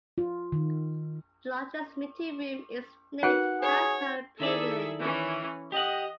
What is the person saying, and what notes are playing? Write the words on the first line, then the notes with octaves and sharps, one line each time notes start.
The largest meeting room is named Health Plan Pavilion.
F4
D#3
D#4 F#4 B4 F#5
G#4 C#5
D#3 E4 G#4 A4 D5 E5
E3 C#4
G4 D#5 F#5